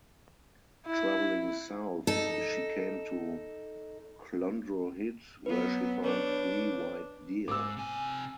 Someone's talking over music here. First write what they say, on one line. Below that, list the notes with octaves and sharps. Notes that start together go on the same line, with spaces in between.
Travelling south, she came to Clondrohid where she found three white deer.
E4
D#4 A4
F#3 B3 B4
D4 B4 C#5
G#2 D6 E6
C3 G#5